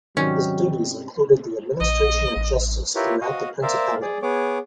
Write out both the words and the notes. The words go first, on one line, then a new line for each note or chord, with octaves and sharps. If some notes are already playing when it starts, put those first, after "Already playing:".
His duties included the administration of justice throughout the principality.
G#2 C3 D#3 F#3 G3 C#4
A#1 D#5
A1
E4 F4 G4 A#4 B4 C#5
F#4 D#5 F5
A#4 C5 D5 E5 F5
G#4 D5
B3 G#4 C#5 D6